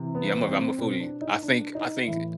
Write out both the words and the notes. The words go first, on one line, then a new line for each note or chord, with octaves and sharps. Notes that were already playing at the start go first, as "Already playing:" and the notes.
yeah, I'm a ve I'm a foodie, I think, I think
Already playing: C3 E3
B3
C4
B2 C4
D4
D#4
D4
D#4
A2 E3 E4